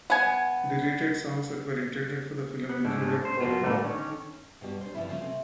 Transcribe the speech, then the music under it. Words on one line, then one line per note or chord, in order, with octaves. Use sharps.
Deleted songs that were intended for the film included Pourquoi?
B3 G#5
B3
G#2 C#3 G#3 A3 D4 E4
C5
F#2 B2 F4
A2 D3 G3 A3 A#3
D3 D#3 C#4
G2 B2 G3 G4
C#4 D4 C5
G2 C3 F3 C#4 E4
C#3 F3 G#3 C4 C#4
C3 A3